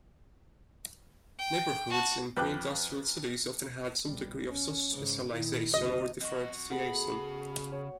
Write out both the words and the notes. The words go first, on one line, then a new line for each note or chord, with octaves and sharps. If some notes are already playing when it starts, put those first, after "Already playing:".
Neighbourhoods in preindustrial cities often had some degree of social specialisation or differentiation.
G5
F#4 A5
F2 B4 G5 D6 F#6
B1 G3
C#4
G#2 C#3
A#2 D#3 E4
F#1 D2 F#4 D#5
F2 F#4 D#5
C#3 A3 B3 F#4 G#4 B5
C#5